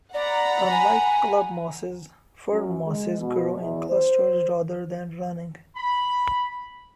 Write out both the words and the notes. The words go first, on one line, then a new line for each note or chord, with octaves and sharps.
Unlike clubmosses, firmosses grow in clusters rather than running.
D5 F#5 A#5 B5
G#5
F#2
G#3
B2
E2
C5
B5